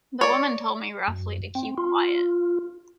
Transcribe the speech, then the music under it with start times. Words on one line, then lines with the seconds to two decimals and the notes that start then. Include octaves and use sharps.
The woman told me roughly to keep quiet.
0.21 C#5 D5
1.08 F#2
1.55 C4
1.78 F4